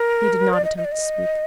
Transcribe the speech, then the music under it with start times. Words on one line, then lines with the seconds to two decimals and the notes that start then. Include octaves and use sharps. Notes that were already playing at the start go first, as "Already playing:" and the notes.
He did not attempt to speak.
Already playing: A#4
0.53 D5
0.65 D#5
0.77 D#5
0.85 D5
0.92 D#5